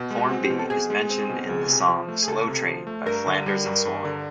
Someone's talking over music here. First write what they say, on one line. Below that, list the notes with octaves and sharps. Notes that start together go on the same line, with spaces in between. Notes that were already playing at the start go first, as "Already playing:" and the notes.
Formby is mentioned in the song "Slow Train" by Flanders and Swann.
Already playing: B2
G#3
F#4
C4
G4
B2
A4
B2 G#4
G#3
C4
B2
C#2
C3
F3
A3
G#4
C#2 A4
C3
F3
A3
G2 A#4
D3
G3
G2
G2
D3